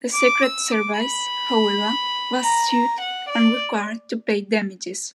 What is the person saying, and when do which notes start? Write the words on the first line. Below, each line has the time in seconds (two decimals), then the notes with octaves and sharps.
The Secret Service, however, was sued and required to pay damages.
0.14 D6
0.43 E6
0.72 D6
1.00 B5
2.44 A#5
2.73 A#5
3.01 F#5
3.30 D5